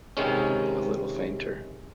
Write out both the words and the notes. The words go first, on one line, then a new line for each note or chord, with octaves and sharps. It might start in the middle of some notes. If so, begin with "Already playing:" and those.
A little fainter.
C3 D#3 G#3 C#4